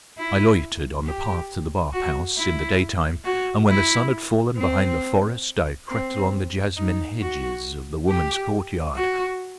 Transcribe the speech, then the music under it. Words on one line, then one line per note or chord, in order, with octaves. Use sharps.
I loitered on the path to the bath-houses in the daytime, and when the sun had fallen behind the forest I crept along the jasmine hedges of the women's courtyard.
E4
G4
F#4
E4
F#4
E4
C4
C4
D#4
F#4
G4
F#4